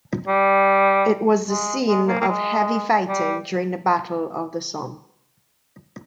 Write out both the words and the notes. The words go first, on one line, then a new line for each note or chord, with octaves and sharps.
It was the scene of heavy fighting during the Battle of the Somme.
G3
G#3
G#3
A#3
A#3
G#3
G3